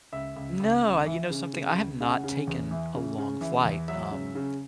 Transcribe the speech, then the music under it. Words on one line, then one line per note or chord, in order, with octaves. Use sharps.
No, I you know something? I have not taken a long flight, um,
C#2 E5
C#2
C#2
C#2
E3
C#3
C#3
C#2
C#3 F#5
C#3
E2
E3
C#3
C#3
E3
E2
F#3 E5
C#3
C#3